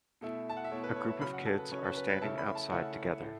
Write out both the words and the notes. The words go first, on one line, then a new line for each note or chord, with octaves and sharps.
A group of kids are standing outside together.
B2 A3 E4
A5
F#5
E5
B2 A3 E4 C#5
B4
C#5
E5
C#3 F#3 C#4 B5
F#5
A4
B4
C#3 F#3 C#4 C#5
B4
B4
B4
C#3 A3 C#4 E4 A5
B5
A5
C#3 A3 C#4 E4 F#5
A2 A3